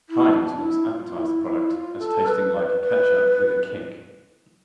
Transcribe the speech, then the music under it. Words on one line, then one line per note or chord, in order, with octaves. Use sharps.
Heinz once advertised the product as tasting "like ketchup with a kick".
E4
E4
D4
E4
F4
E4
F4
E4
F4
A4
B4
D5
B4
B4